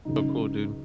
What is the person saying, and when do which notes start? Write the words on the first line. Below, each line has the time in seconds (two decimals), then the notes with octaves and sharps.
Oh, cool, dude.
0.05 C#2 C#3 F#3 D#4